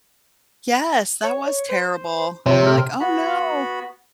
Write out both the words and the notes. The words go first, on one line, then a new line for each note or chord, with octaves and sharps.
Yes. That was terrible. You're like, "Oh, no."
C#5
C5
C3 F3 C#5
G4 F6
B3 F#4 B5